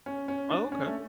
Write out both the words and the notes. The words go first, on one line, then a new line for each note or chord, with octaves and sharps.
Oh, okay.
C#4
C#4
D4
C#4
A3